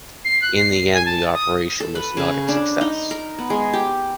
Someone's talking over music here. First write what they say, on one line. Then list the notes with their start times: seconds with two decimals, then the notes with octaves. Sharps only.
In the end the operation was not a success.
0.25 C7
0.42 F#6
0.56 C7
0.94 G#5
1.06 A5
1.34 D#6
1.80 A4
1.95 B4
2.17 C#3
2.48 D4
2.81 D#4
3.11 A#4
3.38 B3
3.50 G#3
3.73 G4